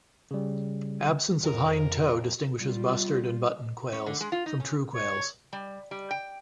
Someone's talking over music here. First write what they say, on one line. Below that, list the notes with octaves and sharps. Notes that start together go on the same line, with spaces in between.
Absence of hind toe distinguishes Bustard and Button quails from true quails.
C#3 G3
F2 A#4
G3 F4
C#4
D3
G#3
F4
D#4
C#4
C#5
G3
G3
G5